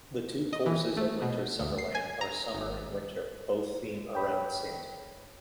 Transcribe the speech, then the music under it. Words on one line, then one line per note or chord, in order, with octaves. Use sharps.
The two courses at Winter Summerland are Summer and Winter both theme around Santa.
D#5
E3
A3
B2
D2
C7
G#5
A#5
G#1
C#5 G5 B5